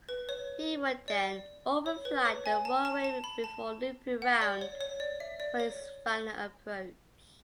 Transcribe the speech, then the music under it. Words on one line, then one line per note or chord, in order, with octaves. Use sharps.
He would then overfly the runway before looping round for his final approach.
B4
C#5
D5
C#5
B4
C#5
G#5
A5
A5
A5
B5
A5
F#5
D5
C#5
C#5
D5
E5
D5
C#5